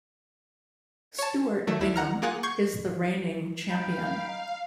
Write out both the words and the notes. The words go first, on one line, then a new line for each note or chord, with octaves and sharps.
Stuart Bingham is the reigning champion.
C#5 A5
D#3 F#3 A3
D2 E4
F#5 A#5 F6
A#3 F4 G#4 F#5
C#6 G6 G#6 C7
D#4 F5 G5 B5